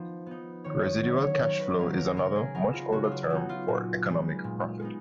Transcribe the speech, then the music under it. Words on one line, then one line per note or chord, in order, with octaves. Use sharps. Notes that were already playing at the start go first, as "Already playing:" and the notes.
Residual cash flow is another, much older term for economic profit.
Already playing: F3 B3 D#4
B3 D#4
D#3 C#5
D#5
F#3 A#3 C#4 C#5
C#5
D#3 A#4
B4
F#3 A#3 C#4 A#4
A#4
C#3 A#4
G#4
F#3 B3 D#4 A#4
F4
C#3 F#4
F4
F#4
F#3 B3 D#4 F#4
F4
A#2 F#4
G#3 B3 D#4
A#2
G#3 B3 D#4